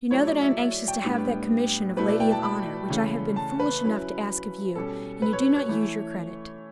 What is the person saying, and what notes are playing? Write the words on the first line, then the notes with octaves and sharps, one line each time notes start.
"You know that I am anxious to have that commission of lady of honor, which I have been foolish enough to ask of you, and you do not use your credit."
F#3 A3 E4 C#5
D5
E5
E5
G5
A2 G3 B3 D4
B2 A3 E4 B4
D5
G5
A5
B5
C#3 E3 A3 C#4
A5
B4
F#3 C#4 E4
B2 G3 C#4 A4
B4
C#5
C#5
E3 A3 E4